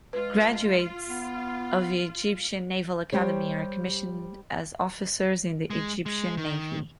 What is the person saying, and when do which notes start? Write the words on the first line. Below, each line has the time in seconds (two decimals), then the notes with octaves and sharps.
Graduates of the Egyptian Naval Academy are commissioned as officers in the Egyptian Navy.
0.13 G#3 F4 B4
1.09 B3
3.12 G3 G4 C5 C#5
5.70 G#3
6.06 G#3
6.37 D#3